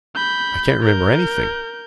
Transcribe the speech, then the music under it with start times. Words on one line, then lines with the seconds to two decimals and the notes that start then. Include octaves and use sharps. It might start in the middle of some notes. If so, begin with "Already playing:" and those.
I can't remember anything.
0.16 B5 G6
0.83 A#4 G6